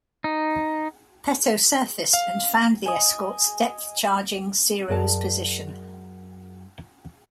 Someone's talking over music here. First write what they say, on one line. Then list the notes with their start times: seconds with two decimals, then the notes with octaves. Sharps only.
"Peto" surfaced and found the escorts depth charging "Cero"s position.
0.24 D#4
2.13 F5
2.86 D#5 G#5
4.88 F#2 G#4 A#4 D5 A5